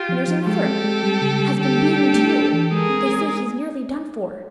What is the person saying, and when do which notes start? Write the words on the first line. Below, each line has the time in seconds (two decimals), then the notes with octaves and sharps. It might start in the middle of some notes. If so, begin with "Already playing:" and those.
And there's another has been beaten too--they say he's nearly done for....
Already playing: F4 G4
0.09 F3
0.28 F3
0.46 G#3 G4 A4
0.65 C4
0.84 G#3
1.03 G3
1.22 C#3
1.40 G3
1.59 D3 G4 A4
1.78 G3
1.96 D4
2.15 A3
2.34 D4
2.53 E3
2.72 G#3 G#4 A#4
2.90 C4
3.09 G#3